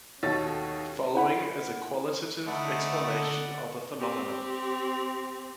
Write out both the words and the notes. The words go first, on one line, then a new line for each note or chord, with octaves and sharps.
Following is a qualitative explanation of the phenomenon.
D#2 B2 D#3 A4 C#5 A6
E4 F#5 B5
D3 A3 D#4 A4 D5 F#5 B5
C4 G4